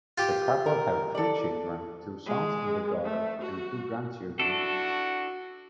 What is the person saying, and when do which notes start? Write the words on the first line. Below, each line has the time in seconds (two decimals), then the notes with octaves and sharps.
The couple have three children, two sons and a daughter, and two grandchildren.
0.18 F4 G4
0.66 A#4
1.15 A4 D5
2.26 G#3
3.05 A3
3.42 F#4
4.39 D4 E4 F#4 A4